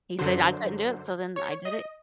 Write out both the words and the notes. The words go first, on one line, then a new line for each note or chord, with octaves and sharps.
He said I couldn't do it, so then I did it.
F#2 D3 F#3 C5
C#5
D#5